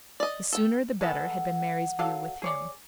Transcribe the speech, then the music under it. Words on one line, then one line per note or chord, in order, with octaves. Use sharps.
The sooner the better had been Mary's view with him.
D5 D#5
A4 G5
G#3 B3 A4 F#5
F#3 A4 F5
G#4 C#5 D5